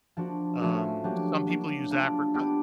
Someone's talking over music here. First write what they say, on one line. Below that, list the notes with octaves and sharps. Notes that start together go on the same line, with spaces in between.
Um, some people use apricot
F3 A#3 D4 F#4
F3 A3 C#4 F#4 A#4
F#3 A#3 D4 G4
F#3 A#3 D4
A#3 D4 F4
B3 D4 G4